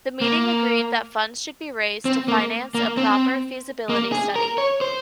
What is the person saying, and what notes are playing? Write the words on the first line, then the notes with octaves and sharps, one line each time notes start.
The meeting agreed that funds should be raised to finance a proper feasibility study.
A#3
C4
A#3
A#3
C4
A#3
G#4
A#4
C#5
C5